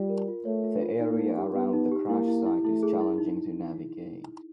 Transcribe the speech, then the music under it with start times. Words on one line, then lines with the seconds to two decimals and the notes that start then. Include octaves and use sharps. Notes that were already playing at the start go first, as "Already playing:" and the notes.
The area around the crash site is challenging to navigate.
Already playing: G3 F4
0.09 A#4
0.28 F4
0.45 A3 C#5
0.63 F4
0.82 F4
1.00 A#3 D#4
1.18 D#4
1.37 G4
1.54 B3 G4
1.73 D#4
1.91 G4
2.09 A#3 E4
2.28 E4
2.46 E4
2.64 A3 E4
2.83 G#4
3.01 E4
3.18 D#4